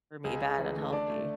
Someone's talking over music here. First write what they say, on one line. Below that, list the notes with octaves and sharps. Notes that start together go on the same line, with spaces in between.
for me bad, unhealthy.
C#2 G#4
C#3
E3
A3
D3 D4 D5
A3